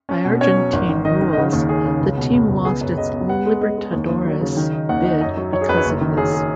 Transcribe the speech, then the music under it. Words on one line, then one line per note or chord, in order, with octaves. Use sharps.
By Argentine rules, the team lost its Libertadores bid because of this.
C#4
B2
C#4 C#5
F#3
G#1
D#3
D#3 D#5
D#3
D#5
C#3 F#5
D#2
C#3 G#4
C#3
C#2
B2
C#2
C#2
B3 G#4
F#2 B4
C#3 D#5
B3
B3 F#5
G#3
G#3 D#5
G#3
D#2
D#2
F#3
C#3
D#3
D#4
D#2 F#5
D#4
F#2 D#5
F#3
F#2 C#5
G#4
F#2 B4
C#5
F#1
D#3
F#2 G#4
G#4